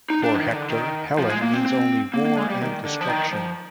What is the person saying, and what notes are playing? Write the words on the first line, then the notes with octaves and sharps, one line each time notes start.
For Hector, Helen means only war and destruction.
D#4
D4
F3
D#3
D#3
D3
D#3
F3
G#3
A#3
C4
C4
A#3
A#3
G#3
G3
D#3
D3
F3
D#3
F3